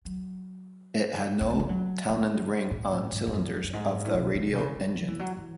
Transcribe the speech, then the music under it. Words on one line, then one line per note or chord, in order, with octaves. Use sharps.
It had no Townend ring on cylinders of the radial engine.
F#3
B3
A3
G#3
F#3
A3
A2
A2
G#2
G#2
F#2
F#2
G#2
A2
B2
D3
B2
C#3
E3
F#3
E3
F#3
E3